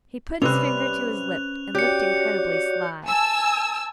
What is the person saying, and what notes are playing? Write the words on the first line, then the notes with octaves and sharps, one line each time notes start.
He put his finger to his lip and looked incredibly sly.
C3 G3 C#4 B4 C5 F#6 F7
F#4 G4 C#5 D5 G6 C#7
G#5 A5 E6